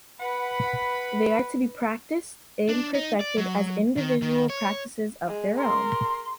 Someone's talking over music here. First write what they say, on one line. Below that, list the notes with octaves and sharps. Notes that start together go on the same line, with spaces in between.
They are to be practiced and perfected as individual practices of their own.
B4 F#5 B5
D4
D#4
D5
F#3
D#3
D#3
C#5
G#3
A#4 C6